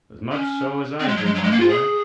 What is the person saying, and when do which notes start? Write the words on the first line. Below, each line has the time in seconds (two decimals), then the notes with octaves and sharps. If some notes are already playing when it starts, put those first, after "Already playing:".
"As much so as I do, my boy!"
0.32 C#4
1.00 C4
1.08 G#3
1.17 F#3
1.25 G#3
1.35 F#3
1.44 G#3
1.52 A#3
1.60 F4
1.69 G#4